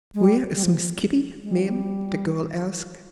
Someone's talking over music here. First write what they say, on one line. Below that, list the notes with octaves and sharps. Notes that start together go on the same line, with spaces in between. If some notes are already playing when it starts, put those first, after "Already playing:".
"Where is Miss Kitty, ma'am?" the girl asked.
G#3
G3
G3
F3
G#3
G3
F3
G3